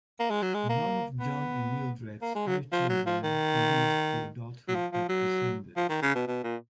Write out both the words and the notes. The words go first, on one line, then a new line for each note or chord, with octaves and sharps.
None of John and Mildred's five children who lived to adulthood had descendants.
A#3
G#3
F#3
G#3
A#3
B3
A#3
G#3
F#3
F3
F#3
F3
D#3
F#3
F3
F3
F#3
F3
D#3
C#3
B2
B2
A#2